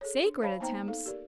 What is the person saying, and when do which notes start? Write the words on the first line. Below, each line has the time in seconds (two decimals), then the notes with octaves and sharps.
Sacred attempts!
0.01 G#4 A4 C#5
0.24 D4
0.42 C5 C#5 F5 A5 B5
0.60 A#3 B3 D#4 C5 G5 A#5
0.88 D#4 A4 F5
1.06 G4 A#4 D5